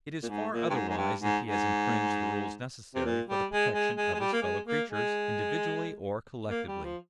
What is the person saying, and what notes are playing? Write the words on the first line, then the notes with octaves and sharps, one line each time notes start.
It is far otherwise if he has infringed the rules necessary for the protection of his fellow-creatures, individually or collectively.
A#2
G#2
A#2
G2
G#2
G#2
G2
G#2
G#2
C3
A#2
G3
G#3
G#3
G#3
G#3
G3
A#3
G#3
A#3
G#3
A#3
G3
F3